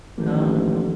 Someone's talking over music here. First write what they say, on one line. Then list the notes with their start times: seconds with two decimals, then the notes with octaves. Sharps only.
Oh, no.
0.18 A1 D#3 F3 A#3